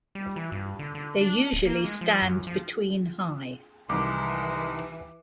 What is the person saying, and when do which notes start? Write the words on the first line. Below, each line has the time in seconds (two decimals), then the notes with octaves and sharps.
They usually stand between high.
0.15 G3
0.36 E3
0.52 G2
0.79 D3
0.95 D3
1.21 D4
1.53 D1
1.66 A#3
1.85 G#3
2.01 F3
2.22 F#2
2.47 F3
3.89 C2 D#3 E3 G#3 D6